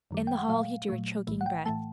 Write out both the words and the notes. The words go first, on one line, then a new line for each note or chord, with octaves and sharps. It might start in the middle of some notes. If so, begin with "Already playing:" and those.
In the hall he drew a choking breath.
F#2 D#3 G3
G5
F#5
A#2 F#3 A3 F5
A#2 F#3 A3
B1 A2 E3 A3
F#5
G5
A2 E3 A3 A5